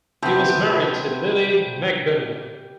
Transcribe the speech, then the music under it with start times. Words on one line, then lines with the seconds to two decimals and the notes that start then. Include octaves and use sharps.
He was married to Lily Magbanua.
0.22 C3 B3 G4 A5 B5